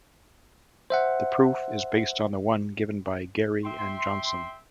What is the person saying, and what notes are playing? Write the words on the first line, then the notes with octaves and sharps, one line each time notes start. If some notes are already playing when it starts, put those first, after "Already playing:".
This proof is based on the one given by Garey and Johnson.
C5 E5 F#5
E5 G5 C6